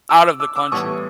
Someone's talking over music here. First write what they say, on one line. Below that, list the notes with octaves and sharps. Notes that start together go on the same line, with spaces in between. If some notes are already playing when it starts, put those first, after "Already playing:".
out of the country.
D6 E6
D6 E6
D6 E6
A2 E3 G3 B3 C#6 D#6